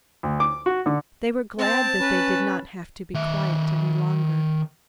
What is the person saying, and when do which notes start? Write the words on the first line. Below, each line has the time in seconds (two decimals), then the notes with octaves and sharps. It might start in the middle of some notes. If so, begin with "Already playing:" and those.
They were glad that they did not have to be quiet any longer.
0.23 D2
0.40 D6
0.66 F#4
0.86 D3
1.59 C4 A5
1.99 C#4 B4
3.14 D#3 E5